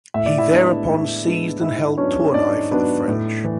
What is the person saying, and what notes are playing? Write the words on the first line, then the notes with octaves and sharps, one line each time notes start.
He thereupon seized and held Tournai for the French.
A2 E5
D5
E4 E5
G#3 B3 D4
A2
G#3 B3 D4
G#2 E4 E5
F#3 B3 C#4 D4 C#5
G#2 D4 D5
F#3 B3 D4
A2
E3